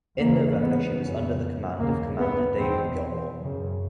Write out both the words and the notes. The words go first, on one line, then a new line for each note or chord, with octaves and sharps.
In November she was under the command of Commander David Gilmour.
E2 C#3 A#3
B3
F2 C#3
D#2 C#3 A#3
B3
E2 B2 C4
F#2 C#3